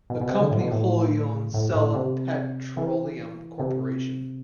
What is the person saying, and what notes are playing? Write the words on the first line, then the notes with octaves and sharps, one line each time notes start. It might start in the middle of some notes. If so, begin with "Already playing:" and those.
The company wholly owns Ceylon Petroleum Corporation.
B2
B2
C3
D3
A2
B2
A2
A2
A2
C3
E3
C3